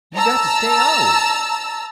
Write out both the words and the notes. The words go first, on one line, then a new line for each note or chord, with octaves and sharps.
You got to stay always.
A5 A#5 E6